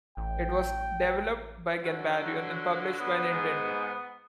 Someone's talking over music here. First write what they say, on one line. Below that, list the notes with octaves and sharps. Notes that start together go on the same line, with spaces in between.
It was developed by Ganbarion and published by Nintendo.
A1 G5
D3 F#3 F#4
B3
G#2